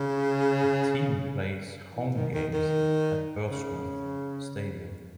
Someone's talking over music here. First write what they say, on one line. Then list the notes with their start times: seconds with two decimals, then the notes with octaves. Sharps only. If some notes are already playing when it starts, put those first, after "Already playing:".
The team plays home games at Birchmount Stadium.
Already playing: C#3
1.95 E3
2.15 D#3
2.34 D#3
2.54 D#3
3.50 C#3